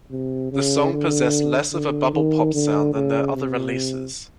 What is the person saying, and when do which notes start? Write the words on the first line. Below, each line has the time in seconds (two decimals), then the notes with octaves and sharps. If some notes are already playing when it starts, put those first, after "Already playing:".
The song possessed less of a "bubble pop" sound than their other releases.
0.11 C3
0.52 C#3
0.93 D3
1.73 D3
2.14 D#3
2.54 D3
2.94 C#3
3.35 C3